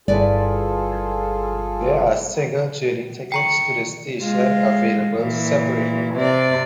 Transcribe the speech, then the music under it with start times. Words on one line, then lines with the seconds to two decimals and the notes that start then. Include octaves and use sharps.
There are single journey tickets to the station available separately.
0.08 G1 G3 E4 F4 G#4 A4 B4 D5
3.32 G5 A#5 C#6 C#7
4.23 G#3 F4
5.17 A#2 E3
6.14 C3 D5